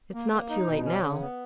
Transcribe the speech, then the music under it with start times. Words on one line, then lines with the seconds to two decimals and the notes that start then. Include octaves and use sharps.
"It's not too late, now."
0.14 A#3
0.32 A#3
0.50 D#4
0.68 B2
0.85 C#4
1.04 C#3
1.21 B3